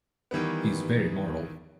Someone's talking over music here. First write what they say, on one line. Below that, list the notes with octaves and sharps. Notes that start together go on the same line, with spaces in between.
He's very moral.
D#3 E3 G3 B3